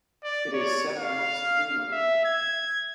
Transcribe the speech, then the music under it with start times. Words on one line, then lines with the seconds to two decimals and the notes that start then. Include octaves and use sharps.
It is set amongst greenery.
0.23 D5
0.53 C#5
0.98 F5
1.92 E5
2.25 G#6